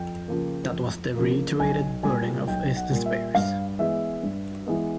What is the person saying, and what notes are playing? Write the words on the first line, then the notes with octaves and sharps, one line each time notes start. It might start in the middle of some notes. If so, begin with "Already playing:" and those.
That was the reiterated burden of his despair.
Already playing: F2 G5
C#3 F3 A#3
F2
C#3 F3 A#3
B1 G#5
A#2 G3 G#5
B1 G5
F#5
A#2 G3
E5
G2 F5
E3 G#3 B3 E5
G2
E3 G#3 B3